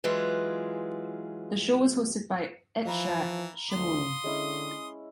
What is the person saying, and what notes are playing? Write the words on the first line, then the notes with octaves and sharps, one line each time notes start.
The show was hosted by Itzhak Shimoni.
E3 F#3 G#3 C#4 F4 B4
E3 F3 F5 A#5 B5
D2 C6 D#6
D3 G#3 C#4 E4